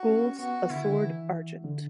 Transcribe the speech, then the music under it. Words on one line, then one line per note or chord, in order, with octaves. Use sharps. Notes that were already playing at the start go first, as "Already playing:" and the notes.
Gules a Sword Argent.
Already playing: F#4
C#4
B3 F#4
D3 E4
D3
E3
D3